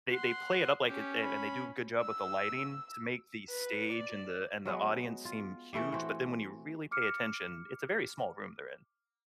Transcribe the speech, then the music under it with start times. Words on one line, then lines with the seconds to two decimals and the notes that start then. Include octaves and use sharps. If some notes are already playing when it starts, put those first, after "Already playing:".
they they play it up like it and they do a good job with the lighting to make the stage and the and the audience seem huge, but then when you really pay attention, it's a very small room they're in.
0.12 F#5 C6
0.89 C#4 G4
1.22 B5
2.01 E6
3.50 B4
3.93 D5
4.65 F#3 G#3 B3
5.25 F4
5.73 E3 A3 E4 G4
5.92 E3 C4 F#4
6.91 D6 F6 C#7